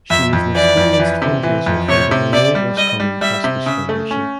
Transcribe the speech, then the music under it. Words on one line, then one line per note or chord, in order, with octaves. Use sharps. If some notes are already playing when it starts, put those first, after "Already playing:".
She is an experienced fundraiser for the Mayo Roscommon Hospice Foundation.
F2 E5
F2
E3 D5
F2
E3
C3
E3
F2
C3 C#5
C3
C3 D5
G3
G3 D#5
G3
G3 E5
C3
C#3 E5
A3
C#4